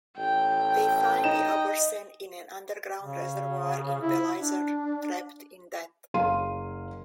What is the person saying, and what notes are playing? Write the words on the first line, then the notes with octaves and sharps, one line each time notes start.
They find the Abhorsen in an underground reservoir in Belisaere, trapped in Death.
A1 G5
D#4 D#5 E7
C#3
E4
D4
F#1 F#3 G#4 F5 C6 D#7